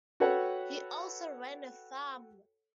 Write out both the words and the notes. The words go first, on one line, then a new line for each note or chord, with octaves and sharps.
He also ran a farm.
F#4 A4 B4 C#5 F#5 G5